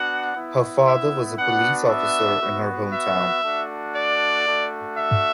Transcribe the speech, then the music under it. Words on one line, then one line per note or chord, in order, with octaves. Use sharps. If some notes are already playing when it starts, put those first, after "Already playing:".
Her father was a police officer in her home town.
Already playing: B3 D4 F#4 F#5
B3 E4
E5
B3 D4 F#4 F#5
E5
B3 F#4
E5
A3 D4 F#4
D5
A3 D4 F#4
E5